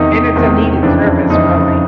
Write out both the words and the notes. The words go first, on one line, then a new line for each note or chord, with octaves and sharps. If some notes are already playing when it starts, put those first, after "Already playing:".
And it's a needed service, really.
Already playing: E2 C3 D#3 D#4
E2 C3 D#3
F2 C#3 E3 D4
F2 C#3 E3 D#4